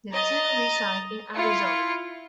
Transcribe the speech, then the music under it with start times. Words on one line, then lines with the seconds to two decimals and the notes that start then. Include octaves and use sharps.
The two reside in Arizona.
0.13 D#5 A#5 A6
1.34 E4 F4 C#7